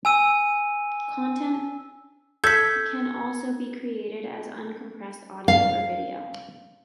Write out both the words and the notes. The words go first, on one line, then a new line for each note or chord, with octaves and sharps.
Content can also be created as uncompressed audio or video.
G#5 E6 D#7
A4 E6 G6 G#6 B6
F5